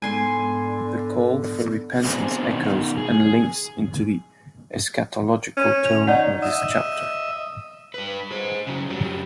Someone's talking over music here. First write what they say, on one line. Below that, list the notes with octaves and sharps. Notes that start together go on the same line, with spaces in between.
The call for repentance echoes and links into the eschatological tone of this chapter.
G#2 D3 B3 G#5 C6
B3 C4 D4 G#4 A#4
B2 D#3
G#4
C#4
F7
D#4 D5 F#5
D#5 E5
G2 B4
G#4 C5
C#3 F#3
F#2 F#3 G3